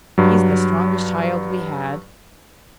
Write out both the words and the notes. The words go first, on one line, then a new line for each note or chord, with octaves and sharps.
He's the strongest child we had.
G2 F#3